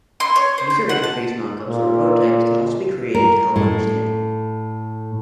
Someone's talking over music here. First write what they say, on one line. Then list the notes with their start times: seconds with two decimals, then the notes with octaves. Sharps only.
User-interface mockups or prototypes can also be created to help understanding.
0.20 C6
0.36 C#5
0.58 C5
0.70 G6
0.89 F#5
1.03 A5
1.67 A#2
3.15 A#4
3.56 A2